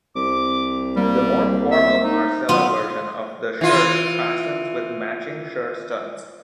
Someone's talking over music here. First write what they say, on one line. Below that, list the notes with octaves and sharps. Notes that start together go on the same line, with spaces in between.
The more formal marcella version of the shirt fastens with matching shirt studs.
C2 D6
G3 A#3
E5
D#4
F#3 B3 F4
E3 F4